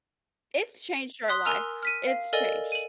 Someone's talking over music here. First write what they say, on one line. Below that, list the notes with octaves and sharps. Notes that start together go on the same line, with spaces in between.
It's changed our life, it's changed
C6 D#6 F#6 B6
A#4 G#5 A#5 E6 F6
F6 B6 D#7
F5
A4 A#4 D5 D#5 G#5
D#7 F#7